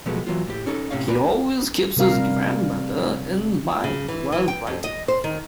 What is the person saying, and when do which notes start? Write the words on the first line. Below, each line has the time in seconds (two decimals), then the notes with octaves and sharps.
He always keeps his grandmother in mind while writing.
0.06 B2 F3 F#3 G#3 A3 B3
0.27 E3 F#3 B3 F4
0.47 A2 G4
0.66 C#4 D#4 A4 C#5
0.91 A2 C3 F3 C#4 C#5 F5
1.08 F#4 G4 A#4 B4 D5 G#5
1.97 C3 G3 A#4 F5
3.84 C#3
4.08 E3
4.32 E3
4.48 G5
4.67 F2
4.84 D#5
5.08 C5
5.24 D#3